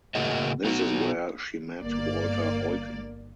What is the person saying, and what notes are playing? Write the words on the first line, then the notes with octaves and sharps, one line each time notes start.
This is where she met Walter Eucken.
A2 C#3 A#3 F#4 G#4 D#5
B3 D#4 F#4
G1 A#3 D5